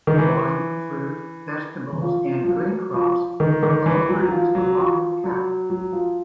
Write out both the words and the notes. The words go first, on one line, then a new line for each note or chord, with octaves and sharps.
Wine, fruit, vegetables and grain crops are all produced along with cattle.
D#3
E3
E3
F3
F3
F#3
F3
D#3
D#3
E3
F#3
F#3
F3
F#3
F3
F#3
F#3
F3